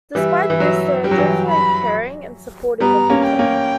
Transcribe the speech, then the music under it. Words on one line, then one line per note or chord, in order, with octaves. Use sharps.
Despite this, they are generally caring and supportive of each other.
E3 G3 E5
E3
F#3
G3 G5
F#3
E3 G3
B5
G3 B3 A#5
A#3 C#4
G5
A#3 C#4